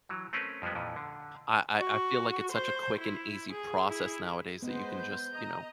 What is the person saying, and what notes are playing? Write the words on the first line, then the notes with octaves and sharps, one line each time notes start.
I I I feel like it's such a quick and easy process nowadays that you can just, you know,
E3 F#3
A3 C4 C#4 A#4 B4
F2 F3 G3 G#3 B3
F2 A#2 E3 F3
D3
F#4
C5
E4
G#4
E4 G#4
G#3 B3 B4 C5
G6
D#5 A#5